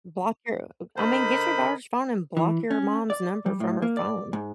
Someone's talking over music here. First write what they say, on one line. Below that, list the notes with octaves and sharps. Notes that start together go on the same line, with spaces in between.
Block her. I mean, get your daughter's phone and block your mom's number from her phone.
D3 A#4 C5 D#5 B5
E3
C#4
D5
G3
A2
A#3
D5
G#2